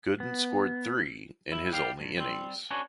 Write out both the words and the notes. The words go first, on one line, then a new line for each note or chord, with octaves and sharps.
Gooden scored three in his only innings.
B3
E4
G3 G4 F5
G2
G3 C4
C#4 D4 F#4 B4 C#5